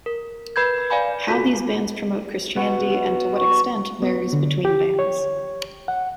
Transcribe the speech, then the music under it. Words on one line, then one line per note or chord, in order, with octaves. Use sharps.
How these bands promote Christianity, and to what extent, varies between bands.
A#4
B4 B5 G6 G#6
D5 F5 G#5 B5
F4 F#4 A4
B3 F#4
C#6
B3
D3
G4
C#5
F#5